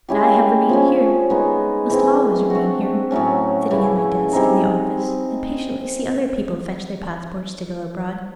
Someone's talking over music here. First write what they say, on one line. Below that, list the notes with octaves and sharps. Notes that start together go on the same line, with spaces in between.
But I have remained here--must always remain here, sitting at my desk in the office, and patiently see other people fetch their passports to go abroad.
G#3 C#4 E4 G4
F3 A3 C#4
G#3 B3 D#4
E3 G#3 C4
A3 D4 F#4
A2 F#3 A3 C#4
C#3 E3 A3
G3 C4 D#4 G#4